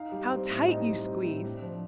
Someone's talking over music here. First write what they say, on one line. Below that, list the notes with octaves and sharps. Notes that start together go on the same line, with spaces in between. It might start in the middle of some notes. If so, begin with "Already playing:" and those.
How tight you squeeze!
Already playing: D#4 F5
G3
C4
A2
D#4 D#5
G3
C4
A2
D4
F3